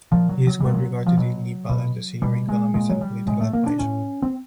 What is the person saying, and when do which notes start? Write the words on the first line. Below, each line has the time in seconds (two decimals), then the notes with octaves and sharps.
He is well regarded in Nepal as a senior economist and political advisor.
0.12 A#2 F3
0.29 F#3
0.47 F#3
0.60 A#2 G3
0.74 F#3
1.07 F3
1.17 B2 F#3
1.69 B2
2.22 B2 G3
2.49 G#3
2.74 A#2 G#3
2.89 F#3
3.01 G3
3.27 A2 G#3
3.41 A3
3.53 A#3
3.66 D4
3.79 A2 C#4
4.22 C4